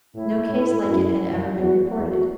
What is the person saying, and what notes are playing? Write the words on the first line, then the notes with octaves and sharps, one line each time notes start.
No case like it had ever been reported.
A2 E4
A2
F#2
F#2
E4
E2 F#4
E2
F#4